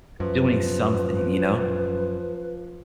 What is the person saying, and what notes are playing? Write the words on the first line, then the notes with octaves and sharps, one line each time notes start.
doing something, you know,
F#2 F3 B4